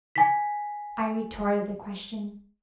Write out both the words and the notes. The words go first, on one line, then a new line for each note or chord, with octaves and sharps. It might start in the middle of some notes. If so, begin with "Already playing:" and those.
I retorted the question.
G#5 B6